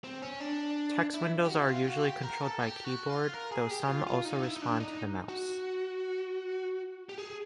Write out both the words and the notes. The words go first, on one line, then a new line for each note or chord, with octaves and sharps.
Text windows are usually controlled by keyboard, though some also respond to the mouse.
C4
C#4
D4
E4
G4
F#4
E4
F4
F#4
G4
A#4
A4
G4
F#4
F4
A#4
G#4
G4
F4
F4
D#4
E4
D#4
D4
D#4
F#4
G4
G#4